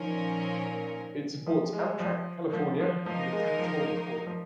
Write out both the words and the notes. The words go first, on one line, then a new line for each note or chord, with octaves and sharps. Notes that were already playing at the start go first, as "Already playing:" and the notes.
It supports Amtrak California and the "Capitol Corridor".
Already playing: A#2 D#3 F3 C#4 A#4
F3
G#3
F3
F3
F3
F3 A#3 D#4 A#4
G#3
F3
D#3
F3
F3